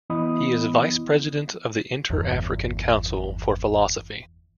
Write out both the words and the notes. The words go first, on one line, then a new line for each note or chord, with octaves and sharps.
He is Vice-President of the Inter-African Council for Philosophy.
E3 B3 E4 D#5 B5 D#6
G1 E2